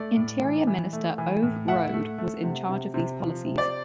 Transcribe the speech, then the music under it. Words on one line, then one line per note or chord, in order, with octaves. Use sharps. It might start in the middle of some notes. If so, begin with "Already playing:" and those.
Interior minister Ove Rode was in charge of these policies.
Already playing: A3 D5
A2
E3
E3
A3
E3
A2
A2 E5 F#5
A3
A3
C3
C3
C3
F3
C3
C5 D5